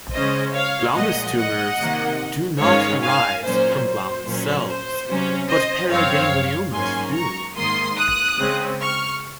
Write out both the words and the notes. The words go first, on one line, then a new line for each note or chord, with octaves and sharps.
Glomus tumors do not arise from glomus cells, but paragangliomas do.
C#3 G#3 C#4 C5 D#5
C#5 F5
A#2 F3 G#3 D#5 F#5
D#5 F#5
C3 D#3 A#3
G#2 D#3 G#3 C#4 C#5 F5
F5 G#5
A#2 F#3 A#3 C#4 C5
C5
A#2 F#3 C#4
C5
C3 F#3 C#4
C5 D#5
F#2 F3 C4 C#5 F5
G#2 F#3 A#3 C#4 G#5 C6
A#5 C#6
G#2 D#3 A#3 C6 D#6
D#6 F#6
C#3 G#3 C4
C#6 F6